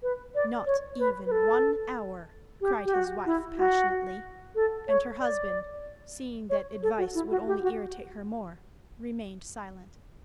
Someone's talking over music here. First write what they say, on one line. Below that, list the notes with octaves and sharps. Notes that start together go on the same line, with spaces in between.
"Not even one hour," cried his wife passionately; and her husband, seeing that advice would only irritate her more, remained silent.
B4
D5
C#5
B4
B4
A4
G4
G4
F#4
E4
F#4
A4
C#5
D5
C#5
A4
F#4
E4
F#4
G4
F#4